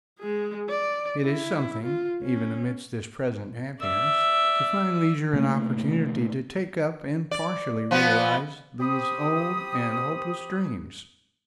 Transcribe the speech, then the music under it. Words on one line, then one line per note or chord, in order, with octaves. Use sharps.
It is something, even amidst this present happiness, to find leisure and opportunity to take up and partially realize these old and hopeless dreams.
G#3 G#4
D5
E4
F4
C#4
D5 E5
C3 A3 A#3
D5
F3 B3
C4 G4 C5 B5 D#6